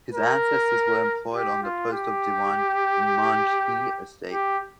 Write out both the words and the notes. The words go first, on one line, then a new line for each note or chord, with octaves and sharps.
His ancestors were employed on the post of Diwan in Manjhi estate.
A#4
G4
F4
G4
G4